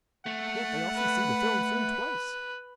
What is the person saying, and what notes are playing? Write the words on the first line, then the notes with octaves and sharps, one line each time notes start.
Yet they often see the film through twice.
A3 F#5
B4